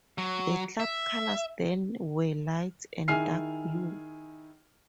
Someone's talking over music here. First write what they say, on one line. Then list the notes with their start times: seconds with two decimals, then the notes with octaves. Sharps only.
The Club colours then were Light and Dark Blue!
0.18 F#3
0.80 E5
3.08 D#3 E4 G#4 G#5 F6 C7